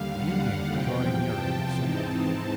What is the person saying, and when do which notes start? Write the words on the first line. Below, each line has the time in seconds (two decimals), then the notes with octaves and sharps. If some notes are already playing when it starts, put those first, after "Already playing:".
The Indians were drawing nearer every second now.
Already playing: D#2 D3 G3 F5
0.16 F#5
0.71 E2 C3 F3 G5
1.26 A5
1.81 G#2 E3 G#3 C4 D#4